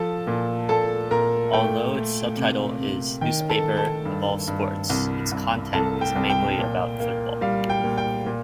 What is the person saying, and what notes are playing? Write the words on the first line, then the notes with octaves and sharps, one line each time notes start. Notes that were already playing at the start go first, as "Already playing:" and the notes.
Although its subtitle is "newspaper of all sports", its content is mainly about football.
Already playing: F3 A4 A5
A#2
A#2 A4 A5
A#2 A#4 A#5
A3 G5
A3
C3
C3
D#3 G5
A4 A5
D#3
A4 A5
G2
G2
C2
C2
C2 A4 A5
G5
C2
G5
A#2
A#3
G3 F5
G5
A#2
G5
A#2